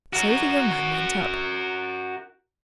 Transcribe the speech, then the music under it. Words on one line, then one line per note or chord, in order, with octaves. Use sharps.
So the young man went up.
F#4 A#4